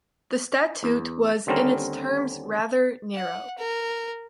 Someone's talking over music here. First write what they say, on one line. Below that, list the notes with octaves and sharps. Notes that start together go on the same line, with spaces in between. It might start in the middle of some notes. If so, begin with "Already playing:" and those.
The statute was in its terms rather narrow.
E2
D#2 D3 G3 C4 C#4 A#4
F#5
A#4